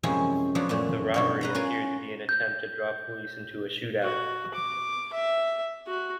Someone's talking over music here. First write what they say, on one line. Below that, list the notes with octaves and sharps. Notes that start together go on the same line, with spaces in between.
The robbery appeared to be an attempt to draw police into a shootout.
F#2 C3 F3 G#3 C#4 E4
F3 F#3 B3 D4 E4
F#2 A#2 A3
G2 B2 C#5
B4 A#5 B5
C#4 F4 A#4 G#5
G6
F#4
D6
E5
F#4